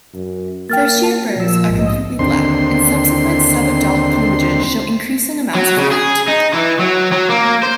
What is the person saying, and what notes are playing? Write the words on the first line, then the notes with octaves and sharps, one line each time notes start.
First-year birds are completely black, and subsequent sub-adult plumages show increasing amounts of white.
F#2
A#3 G5 F6 A6
A5
A#2 F3 E6
A#1 G#2 D#5
D#2 D3 C4 C6
F#3
C#3
G#4
D#4
E3
F#3
F#3
A#3
C5